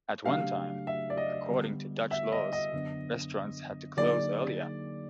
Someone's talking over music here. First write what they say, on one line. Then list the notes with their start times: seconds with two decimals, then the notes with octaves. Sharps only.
At one time, according to Dutch laws restaurants had to close earlier.
0.25 C#3 F#3 A3 D4 G4 F5
0.87 E5
1.10 D5
1.17 D#5
1.49 D3 G3 B3
2.11 E5
2.32 D#5
2.53 D#5
2.73 F#2 D3 F#3 B3 D4
3.97 D3 F#3 A#3 D#4 G#4 D5